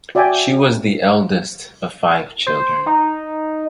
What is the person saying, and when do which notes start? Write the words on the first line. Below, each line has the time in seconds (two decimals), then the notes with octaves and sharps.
She was the eldest of five children.
0.15 F#4 D5 E5 G5 G#5
2.46 C5
2.86 D#4